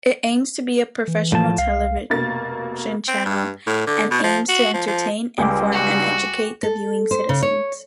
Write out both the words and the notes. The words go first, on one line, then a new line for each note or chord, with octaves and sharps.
It aims to be a professional television channel and aims to entertain, inform and educate the viewing citizens.
E3
A2 F3 A5
C2 F5
F1 B2 A#3 A6
C4
G2
A2
D3
B2
F3
F#4
F3
F3
C#2 G3 G5 G#5 D6
F#4
A4
C5
C#3
C#5